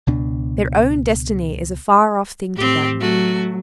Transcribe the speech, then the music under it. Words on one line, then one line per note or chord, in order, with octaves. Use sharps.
Their own destiny is a far-off thing to them.
C#2 B2 D4
A2 C4 G4
F#3 A3 F#4